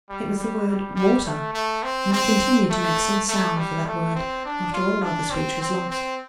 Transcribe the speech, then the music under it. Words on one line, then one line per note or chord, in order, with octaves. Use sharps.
It was the word "water," and I continued to make some sound for that word after all other speech was lost.
G3
G3
G3
G3
A3
A3
C4
C4
A3
A3
G3
A3
C4
D4
F4
D4
C4
C4
C4